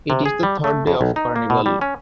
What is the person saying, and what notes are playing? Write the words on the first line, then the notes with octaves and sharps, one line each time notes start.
It is the third day of Carnival.
C3
G#4
G3
A3
F2
B1
D#4
A#3
B2
G3
C#4